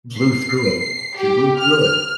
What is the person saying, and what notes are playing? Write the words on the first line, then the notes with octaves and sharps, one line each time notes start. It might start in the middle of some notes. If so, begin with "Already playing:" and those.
Blew through it. She blew through it.
C7
G4
F6